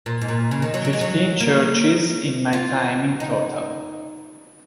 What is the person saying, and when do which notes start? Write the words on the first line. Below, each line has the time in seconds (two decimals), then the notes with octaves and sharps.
Fifteen churches in my time in total.
0.06 A#2
0.21 G#2
0.28 A#2
0.51 C#3
0.62 D#3
0.74 F#3
0.85 F#3
0.93 G#3
1.01 F#3
1.40 A#3
2.53 F4
3.20 D#4